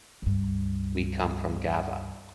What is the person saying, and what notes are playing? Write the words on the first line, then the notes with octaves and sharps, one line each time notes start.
We come from Gavà.
C#2 G2